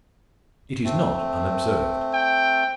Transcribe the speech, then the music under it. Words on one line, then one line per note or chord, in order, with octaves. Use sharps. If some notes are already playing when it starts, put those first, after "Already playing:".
It is not unobserved.
A3 C4
G5